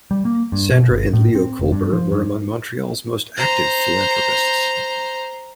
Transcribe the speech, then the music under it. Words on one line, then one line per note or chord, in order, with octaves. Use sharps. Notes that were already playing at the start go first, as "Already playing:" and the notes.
Sandra and Leo Kolber were among Montreal's most active philanthropists.
G3
A#3
G2
B2
G1
A2
C4
F1
G2
F3
G2
C5 A#5